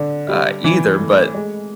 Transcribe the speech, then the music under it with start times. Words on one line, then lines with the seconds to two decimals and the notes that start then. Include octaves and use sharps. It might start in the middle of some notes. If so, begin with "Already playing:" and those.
uh, either, but
Already playing: D3
0.28 G3
0.64 E3
0.99 A3
1.35 G#3